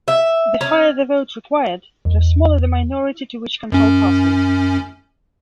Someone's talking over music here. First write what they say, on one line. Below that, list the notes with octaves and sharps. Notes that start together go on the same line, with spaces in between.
The higher the vote required, the smaller the minority to which control passes.
E5
C#4
E2
F#2 C#4